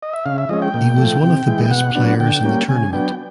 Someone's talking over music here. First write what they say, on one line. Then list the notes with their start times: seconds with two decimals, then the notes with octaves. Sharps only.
He was one of the best players in the tournament.
0.03 D#5
0.13 E5
0.26 C#3 F5
0.38 E5
0.49 F3 G#3 C#4 D#5
0.62 G5
0.74 A#2
0.98 F3 A3
1.23 C3
1.47 E3 G#3
1.66 G5
1.71 B2 F#5
1.95 F#3 B3 D4
2.20 D3 G5
2.44 G3 A#3 C#4
2.68 C#3 G#5
2.93 F#3 B3 D4 G5